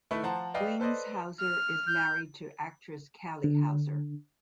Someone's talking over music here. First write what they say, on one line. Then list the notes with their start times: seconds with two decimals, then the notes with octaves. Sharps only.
Wings Hauser is married to actress Cali Hauser.
0.11 D#3 A3 E4 B4 C#6
0.23 F3 C5 F#5 A5 A#5
0.54 B4 D5 D#5 F5 G5
0.80 A4 B4 C5 D5 D#5
1.39 F6
1.87 G6
3.44 D3